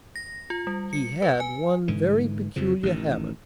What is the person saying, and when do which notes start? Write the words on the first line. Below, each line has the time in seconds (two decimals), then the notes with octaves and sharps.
He had one very peculiar habit.
0.16 A#6
0.50 F4
0.67 G3
0.93 C#7
1.22 B4
1.40 G#5
1.88 G#2 D3 E3
2.56 F2 C#3 F3
2.83 A1 D#3